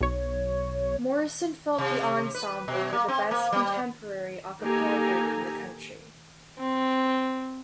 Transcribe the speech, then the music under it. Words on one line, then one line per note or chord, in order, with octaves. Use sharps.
Morrison felt the ensemble were the best contemporary a cappella group in the country.
B1 C#5
C3
B4
B2
A#3
C4
A#3
G3
A#3 D#4 G4 A4 G#5 A#5
C4